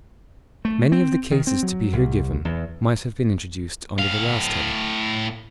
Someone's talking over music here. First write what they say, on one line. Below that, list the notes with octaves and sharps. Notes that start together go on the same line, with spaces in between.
Many of the cases to be here given, might have been introduced under the last heading.
A3
C4
D#3
C4
F#3
C2
E2
A2 F5